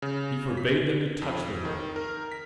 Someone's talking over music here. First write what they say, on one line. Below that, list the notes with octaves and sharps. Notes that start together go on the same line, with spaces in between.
He forbade them to touch the wolf.
C#3
B6
F2
D#3
A#4
B6